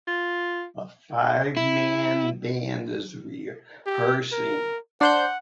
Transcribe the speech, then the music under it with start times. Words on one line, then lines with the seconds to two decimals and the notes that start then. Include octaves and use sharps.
A five man band is rehearsing.
0.07 F4
1.57 E4
3.86 G4
4.32 A#4
5.01 D4 C5 F#5 G6